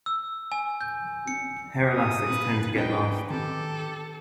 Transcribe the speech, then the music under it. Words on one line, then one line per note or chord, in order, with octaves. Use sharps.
Hair elastics tend to get lost.
E6
G#5
G6
C#7
D#6
B4
C#4 D4 B4 D#5 G5
D#3 G4 A4